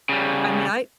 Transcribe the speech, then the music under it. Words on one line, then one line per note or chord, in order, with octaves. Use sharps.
I mean, I
C#3 G3